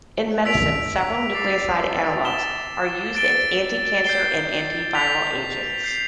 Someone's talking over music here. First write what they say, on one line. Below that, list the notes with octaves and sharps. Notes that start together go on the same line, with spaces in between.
In medicine, several nucleoside analogues are used as anticancer and antiviral agents.
E6 B6 D7 F7
D6 A6 C7
A6 E7 G7
A6 D7 G7
G6 C7 G7
G6 B6 F7
G6 C7 F7